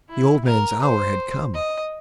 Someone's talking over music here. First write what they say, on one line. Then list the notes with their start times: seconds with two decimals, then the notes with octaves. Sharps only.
The old man's hour had come!
0.10 E4
0.46 A#4
0.82 C5
1.55 D#5